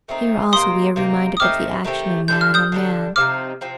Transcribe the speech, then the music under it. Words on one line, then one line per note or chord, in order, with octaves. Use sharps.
Here also we are reminded of the action of man on man.
D#3 A3 C4 D#4
C3 D#3 A#3 C6 D#6
C3 D#3 A#3
D#6
D#3 A3 C4 G4 D6 F6
D#3 A3 C4 G4
D3 G3 D4 A4 G6
F6
D#6 G6
D3 G3 D4 A4
C3 F3 C4 D#4 D6 F6
C3 F3 C4